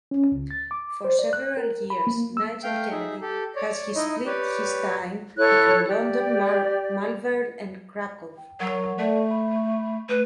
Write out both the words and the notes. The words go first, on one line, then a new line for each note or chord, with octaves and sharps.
For several years, Nigel Kennedy has his split his time between London, Malvern and Krakow.
C#4
C#2
A6
D6
C5
D5
F#6
A#4
B5
A#3
E6
A3 F5 G5
D#4 G#4 E5
G4 A4
C#5 D5
D#4 E4 D#5
G4 B4 C#5 D5
E4 A4 C#5 F#6
G4 D5
G5
F#3 A#4 F#5 C#6
A3 A4 D5 A5
B5
A3 B4